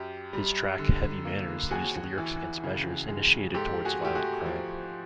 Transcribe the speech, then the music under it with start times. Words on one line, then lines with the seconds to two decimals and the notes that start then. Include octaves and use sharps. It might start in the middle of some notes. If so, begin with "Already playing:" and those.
His track "Heavy Manners" used lyrics against measures initiated towards violent crime.
Already playing: F#2 G4
0.33 G3
0.79 D3
1.25 A#3
1.71 D#2 F#4 G#4
2.18 E3
2.64 C#3
3.09 G#3
3.54 G#2 G4 A4
3.85 F#4 G#4
4.01 A3 G4
4.15 F#4 G#4
4.46 F3